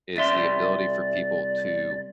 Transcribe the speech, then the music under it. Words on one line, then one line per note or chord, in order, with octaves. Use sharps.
is the ability for people to
C2 D5 E5 C6